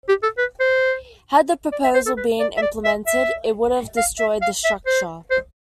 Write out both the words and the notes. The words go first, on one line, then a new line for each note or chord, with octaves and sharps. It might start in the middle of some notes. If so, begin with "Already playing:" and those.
Had the proposal been implemented, it would have destroyed the structure.
G4
A4
B4
C5
D5
E5
C5
A4
B4
D5
E5
D5
E5
E5
F5
E5
F5
E5
C5
C5